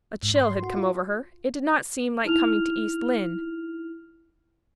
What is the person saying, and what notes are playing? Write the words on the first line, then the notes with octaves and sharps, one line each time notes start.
A chill had come over her; it did not seem like coming to East Lynne.
G#2
C6
C6
F#4
F4
D#4 E4 F6 F7